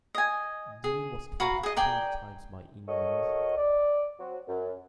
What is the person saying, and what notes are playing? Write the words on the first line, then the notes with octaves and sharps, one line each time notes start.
Deane was capped three times by England.
D#5 G#5
G#4
F#4 B4 F5 A#5
G#4 D#5
A#4 D5 G5 G#5
F#4 A4 A#4 C#5 D#5
D5
F#3 C4 F#4
F#2